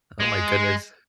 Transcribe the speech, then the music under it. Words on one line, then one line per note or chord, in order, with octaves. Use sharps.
Oh my goodness.
G#3